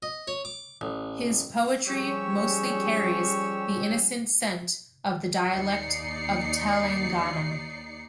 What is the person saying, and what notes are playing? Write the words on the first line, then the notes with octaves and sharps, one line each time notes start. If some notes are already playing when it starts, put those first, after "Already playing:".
His poetry mostly carries the innocent scent of the dialect of Telangana.
D#5
C#5
D6
A1
F3 G3 C#4 G4 G#4 C#5 C#6 E6
D#2 D#4 D5 C7 C#7